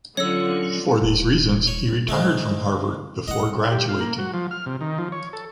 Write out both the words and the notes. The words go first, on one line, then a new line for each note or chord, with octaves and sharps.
For these reasons, he retired from Harvard before graduating.
D3 F#3 C#4 F4 C#5 E6
D#1
C#5
G#2 D3 G#3 A3
G3 E4 D#5 F#5
G4
F5
A#3
F#4
F3
F6
C3
D#3
F3
C#5
A4